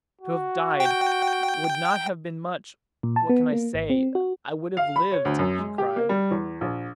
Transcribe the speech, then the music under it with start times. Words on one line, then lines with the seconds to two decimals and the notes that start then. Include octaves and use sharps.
'To have died, would not have been much--what can I say?---I would have lived!' she cried.
0.21 F#4
0.80 G5
3.03 A#2
3.16 A5
3.29 B3
3.52 A#3
3.74 G#1
3.90 C4
4.15 F#4
4.77 F5
4.96 B5
5.12 C#5
5.25 D2
5.39 F#2
5.58 G#3
5.78 G4
5.96 A#3
6.09 G3
6.31 E2
6.61 A#1